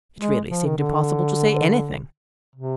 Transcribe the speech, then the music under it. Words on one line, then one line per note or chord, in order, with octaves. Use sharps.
It really seemed impossible to say anything!
G#3
F3
D#3
D3
C3